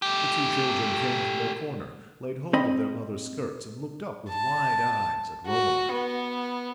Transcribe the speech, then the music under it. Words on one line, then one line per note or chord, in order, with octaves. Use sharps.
The two children came from their corner, laid hold of their mother's skirts, and looked up with wide eyes at Romola.
A3 G4
C4 D#5 B5
A5
F#4
B3